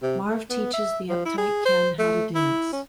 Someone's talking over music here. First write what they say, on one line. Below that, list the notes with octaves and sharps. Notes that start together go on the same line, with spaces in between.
Marv teaches the uptight Ken how to dance.
C3
A3
B3
E5
F3
E4
G#4
C5
A3
E4
C#4